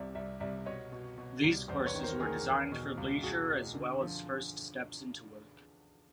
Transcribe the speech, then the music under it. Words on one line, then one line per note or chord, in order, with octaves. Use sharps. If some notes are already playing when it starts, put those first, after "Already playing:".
These courses were designed for leisure as well as first steps into work.
Already playing: C2 C3 D5 E5
C2 D5 E5
C2 D5 E5
B2 C#5 D#5
B2
B2
C2
E2 C5 D5
B4 C#5
D#3
A#4 C5
D#3 G#4 A#4
E2
B2
C#2
C#2 F#4 G#4
B2
D3
F3